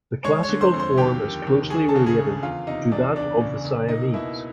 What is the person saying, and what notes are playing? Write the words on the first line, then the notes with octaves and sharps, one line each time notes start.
The classical form is closely related to that of the Siamese.
G#3 C#5 C#6
C#5 C#6
D3
C5 C6
F2
C5 C6
D#2 G4 G5
D#3
D#2
D2 G#4 G#5
A4 A5
C#3
G#4 G#5
D2
E2 F4 F5
C3 D#4 D#5
E2 D4 D5
C#2 D4 D5
C#3
C#2
A#3 D#4 D#5
B2 E4 E5